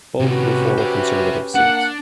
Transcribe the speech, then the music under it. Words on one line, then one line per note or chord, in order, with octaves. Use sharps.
Both were former Conservative seats.
A2 C3 C#4 F#4 G4 B4
C5 E5
A#3 D4 F#5